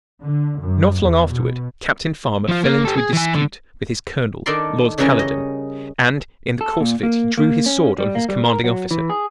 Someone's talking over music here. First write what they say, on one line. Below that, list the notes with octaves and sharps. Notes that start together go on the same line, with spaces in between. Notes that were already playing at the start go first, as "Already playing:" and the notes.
Not long afterward Captain Farmer fell into a dispute with his colonel, Lord Caledon, and in the course of it he drew his sword on his commanding officer.
D3
F#2
E2
B2
F3 F4
A#3
G4 A4
G#4
E3 G#5
D3
D#3 D4 A4 A#4 D5 C6
C#3 E3 G3 C#4 A#4 G#5
D#5
A4
A#2
A#3
A#3
C#4
G3
A#3
G3
A#4
F#3
E3
G#4